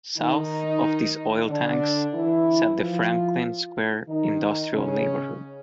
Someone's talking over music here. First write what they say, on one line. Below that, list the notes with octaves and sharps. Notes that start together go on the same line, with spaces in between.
South of these oil tanks sat the Franklin Square industrial neighborhood.
D#3 D#4
D3 D4
E3 E4
F3 F4
D#3 D#4
C#3 C#4